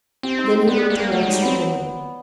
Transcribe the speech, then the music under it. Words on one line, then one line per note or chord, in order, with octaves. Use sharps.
Then he looked towards the woman.
C4 G4
D#4
G4
B3 D5
G4
A#3
G4
F#3 A3
G#3 D#4
G3
B3 C4